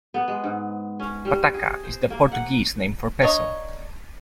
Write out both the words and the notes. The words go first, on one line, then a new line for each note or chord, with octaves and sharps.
"Pataca" is the Portuguese name for peso.
B3
G#3
G#2
C#4
G3
G#4
C5
A#3
F#5
A#3 D4 C#5 D#5